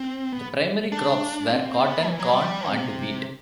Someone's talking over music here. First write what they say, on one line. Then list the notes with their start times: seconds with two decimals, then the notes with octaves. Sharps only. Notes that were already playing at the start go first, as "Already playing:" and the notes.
The primary crops were cotton, corn and wheat.
Already playing: C4
0.32 B3
0.92 D4
1.51 C4
1.80 B3
2.10 E3
2.20 F#3
2.30 G3
2.69 C3